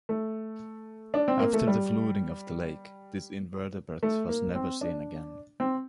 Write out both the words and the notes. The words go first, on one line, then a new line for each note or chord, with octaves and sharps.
After the flooding of the lake, this invertebrate was never seen again.
A3
D4
C4
A#3
A3
G3
A3
A#3
C4
D4
C4